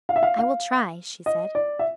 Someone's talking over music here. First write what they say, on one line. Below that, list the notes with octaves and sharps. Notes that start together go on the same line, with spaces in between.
"I will try," she said.
F5
E5
F5
F5
D#5
D5
E5